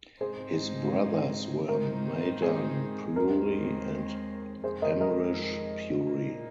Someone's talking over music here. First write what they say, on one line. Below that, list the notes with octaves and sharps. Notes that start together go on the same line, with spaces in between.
His brothers were Madan Puri and Amrish Puri.
G#2 G#3 C4 D#4 G#4 C5
G#2 D#3 G#3 C4 D#4 A#4
G#4
D#2 D#3 G#3 C4 A#4
F2 D#3 G#3 G#4 C5
A#4 D#5
A#4 D#5
A#2 A#3 D#4